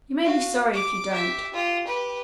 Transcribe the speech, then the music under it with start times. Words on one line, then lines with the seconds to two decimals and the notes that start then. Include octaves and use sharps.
"You may be sorry if you don't."
0.23 F#4 F5
0.73 D6
1.09 G4 E5
1.53 F4 G4
1.86 G4 B4